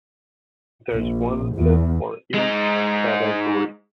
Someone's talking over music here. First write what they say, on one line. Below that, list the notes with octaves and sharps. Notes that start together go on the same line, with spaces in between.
There is one list for each category.
A#1
E2
G#3 D#4